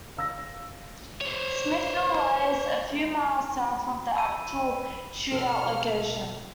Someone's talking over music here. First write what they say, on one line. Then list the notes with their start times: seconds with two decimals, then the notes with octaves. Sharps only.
Smithville lies a few miles south of the actual shootout location.
0.17 F5 E6 A#6
1.21 C5 C#5
4.14 B5 E6 D#7
5.32 B2 A4 F6